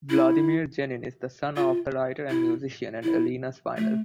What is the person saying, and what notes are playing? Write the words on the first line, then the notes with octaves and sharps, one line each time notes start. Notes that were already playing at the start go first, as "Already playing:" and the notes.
Vladimir Genin is the son of the writer and musician and Elena Spinel.
E4
F4
E4
E4
A3